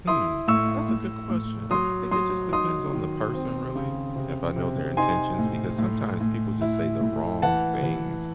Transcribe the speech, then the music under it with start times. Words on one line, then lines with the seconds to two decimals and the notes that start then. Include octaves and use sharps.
Hmm. That's a good question. I think it just depends on the person, really, if I know their intentions because sometimes people just say the wrong things
0.07 E4 C6 D#6
0.48 A2 C#6 E6
0.89 A2
1.30 A2
1.71 F#3 C6 D#6
2.11 F#3 C6 D#6
2.52 D#4 C6 D#6
2.93 D#3
3.34 C4
3.75 C#3
4.16 C3
4.56 C3
4.97 D#4 G#5 C6
5.39 A2
5.79 A2
6.21 A2
6.61 E4
7.01 A2
7.42 E3 F#5 A5
7.83 E3